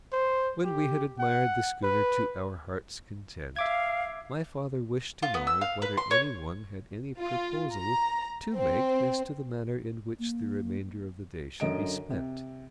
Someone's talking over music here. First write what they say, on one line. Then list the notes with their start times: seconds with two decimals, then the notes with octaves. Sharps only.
When we had admired the schooner to our hearts' content, my father wished to know whether any one had any proposal to make as to the manner in which the remainder of the day should be spent.
0.12 C5
0.64 G4
1.19 F#5
1.83 B4
3.56 E5 F5 D6 G#6
5.23 F4
5.34 B3
5.47 E6
5.61 F5
5.82 B4
5.97 C6
6.11 C#5
7.18 F4
7.75 A#5
8.55 C4
10.19 A#3
11.60 F#2 D3 D#5 D7
12.10 C3